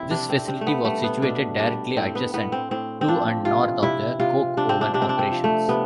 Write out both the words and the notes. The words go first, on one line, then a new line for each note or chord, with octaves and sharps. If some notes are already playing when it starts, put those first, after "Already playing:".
This facility was situated directly adjacent to and north of the coke oven operations.
Already playing: G3 C4 E4
C3 D4
C4
C3 C4
A3
B3
G3 A3
B3
B2 D4
G3 D4
A2 C4
B3
A2 B3
C4
A2 C4
C4
F3 D4
C3 F4
C3 E4
C3 F4
C3 D4
C4
D4
C3 D4
C4
D4
C4
F3
A3
C3 B3